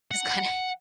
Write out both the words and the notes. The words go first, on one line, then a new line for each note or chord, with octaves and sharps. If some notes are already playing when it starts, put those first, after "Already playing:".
he's gonna
F#5